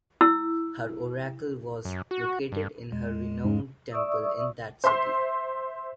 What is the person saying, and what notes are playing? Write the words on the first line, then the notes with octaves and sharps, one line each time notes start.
Her oracle was located in her renowned temple in that city.
E4 E6
F#2
F#4
G2
E2 G#3
G#2
D5 E5 C#6 D#6 E6
C5 E5 C6